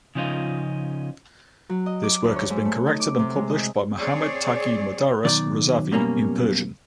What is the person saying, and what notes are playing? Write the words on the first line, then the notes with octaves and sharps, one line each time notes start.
This work has been corrected and published by Mohammad Taghi Modarres Razavi in Persian.
C#3 F3 C#4 D#4 F4
F#3
D#5
D6
D2
C#5
G#2
A3
D#4
D6
C3
G#3
D#5
C4 G#4 C#5 D5
B2 D#3 F#3 D5
F#2 B2 G3 A#3 C#4